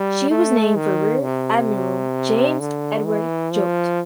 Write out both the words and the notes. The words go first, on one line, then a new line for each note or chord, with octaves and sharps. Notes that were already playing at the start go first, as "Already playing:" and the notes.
She was named for Rear admiral James Edward Jouett.
Already playing: G3
A3
D#3
C3
D3
E3
F3